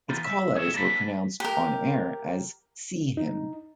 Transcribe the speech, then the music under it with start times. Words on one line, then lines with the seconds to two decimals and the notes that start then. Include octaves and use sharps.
Its call letters were pronounced, on air, as see Him.
0.08 E3 B3 D#4 F4
0.24 E5
0.55 G#4 C#5 E5
0.74 A#3 D4 A4 B4
1.40 G4 A#4
3.17 D#4